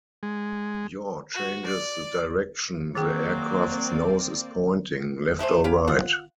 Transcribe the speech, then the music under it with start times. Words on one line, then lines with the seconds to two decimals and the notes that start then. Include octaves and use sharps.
Yaw changes the direction the aircraft's nose is pointing, left or right.
0.23 G#3
1.34 F#4
1.66 D5
2.95 D#3 F#3 A#3 C4 G#4 D5 G5
5.39 G#3 A3 G#4 C5
5.64 C#4 G4 B4 F5
5.88 F4 F#5